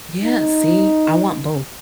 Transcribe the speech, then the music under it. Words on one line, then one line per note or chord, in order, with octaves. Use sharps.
Yeah, see. I want both.
D#4